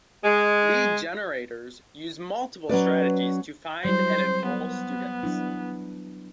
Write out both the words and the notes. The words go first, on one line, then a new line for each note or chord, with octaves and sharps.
Lead generators use multiple strategies to find and enroll students.
G#3
F#3 C#4 B4 D5
F#3 G3 E4 C5
B3
F#3 D4 E4